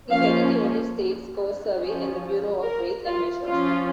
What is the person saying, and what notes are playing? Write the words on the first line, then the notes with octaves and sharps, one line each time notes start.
He headed the United States Coast Survey and the Bureau of Weights and Measures.
F3 A#3 C#4 F5
F3 C#4
A#4
F4
F3 C#4 F4